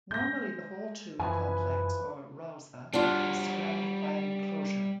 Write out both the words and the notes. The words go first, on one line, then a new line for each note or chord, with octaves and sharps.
Normally the whole tomb complex or "rauza" is surrounded by an enclosure.
G#3 G6 A#6
F#2 E3 F3 B4 G#5
G3 D4 F4 F#4